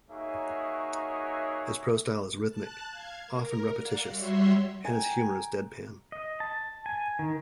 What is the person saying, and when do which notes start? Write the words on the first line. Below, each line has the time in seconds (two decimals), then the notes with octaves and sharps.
His prose style is rhythmic, often repetitious, and his humour is deadpan.
0.10 A#3 D#4 F#4 G#4 C#5 E5
2.47 A5 F#6
2.88 F5 G#6
3.27 A#4
3.78 D5 F5 F#5 A#5
4.07 G3 F#4 C#5 E5 C6
4.85 G5 G#5 A#5
6.12 D#5
6.40 A5
6.86 G#5
7.19 D#3